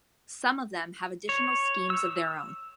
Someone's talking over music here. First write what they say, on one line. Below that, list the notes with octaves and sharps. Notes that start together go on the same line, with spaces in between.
Some of them have additional schemes of their own.
C#5
E6